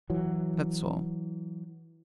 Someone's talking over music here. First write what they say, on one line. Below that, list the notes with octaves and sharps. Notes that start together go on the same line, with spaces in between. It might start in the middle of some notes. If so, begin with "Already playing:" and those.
That's all.'
E3 F#3